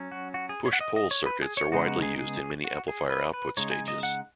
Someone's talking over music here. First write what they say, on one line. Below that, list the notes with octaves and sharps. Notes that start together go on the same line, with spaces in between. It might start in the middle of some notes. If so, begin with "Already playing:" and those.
Push-pull circuits are widely used in many amplifier output stages.
Already playing: F#3 C#4
F#4
F#4
G#4
C#5
F#5
D#5
D#5
C#5
B4
G#4
C#5
C#3 G#3 B3 D#4 F#4
F#4
G#4
G#4
F#4
G#4
B4
B4
C#3 G#3 D#4 C#5
G#5
D#5
F#5